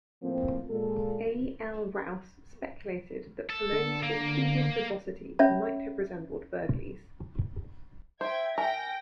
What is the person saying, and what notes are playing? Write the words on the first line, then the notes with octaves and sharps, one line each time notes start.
A. L. Rowse speculated that Polonius's tedious verbosity might have resembled Burghley's.
A2 F3 A#3 C4
A#2 G#3 A4
A4
D3
D3 A#3
C#4 C#5 E5 B5
C5 E5 G5 G#6
A#4 G5 G#5 A#6